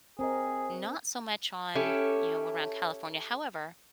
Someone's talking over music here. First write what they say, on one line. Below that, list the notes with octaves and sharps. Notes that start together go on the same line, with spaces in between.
not so much on, you know, around California. However,
C4 G#4 A#4 D#5
C#4 E4 G4 A4